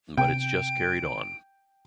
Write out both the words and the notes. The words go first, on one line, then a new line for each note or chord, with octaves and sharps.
But it's just carried on.
C3 G5 D7